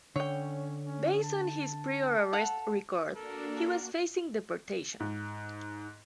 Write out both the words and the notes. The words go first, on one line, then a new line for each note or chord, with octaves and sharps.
Based on his prior arrest record, he was facing deportation.
D3 C#4 C#5 G5
C#4
A5
A4 F5 F#5
A#3 D4 F#4 A4 A#4
G#2